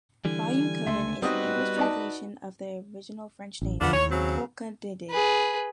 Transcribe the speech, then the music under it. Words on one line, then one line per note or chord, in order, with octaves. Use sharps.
Bayou Coden is an English translation of the original French name, Coq d' Inde.
D3 E3 G3 G#5
C#2 D3 A3 E5 C6
G3 B3 C4 D#4 F#4 B4 D#5 D#6
D#4 D5 A5
A1
E2 D3 F3 B3 D4 F4
D#2 A2 C#5
C#3 F#3 C4
G#4 B4